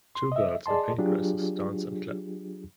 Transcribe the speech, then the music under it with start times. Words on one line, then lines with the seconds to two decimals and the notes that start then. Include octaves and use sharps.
Two girls in pink dresses dance and clap.
0.15 C6
0.32 D#5 E5
0.66 G#4 D5 D#5 A5 C6
0.98 F#3 D4 F4 G4 G#4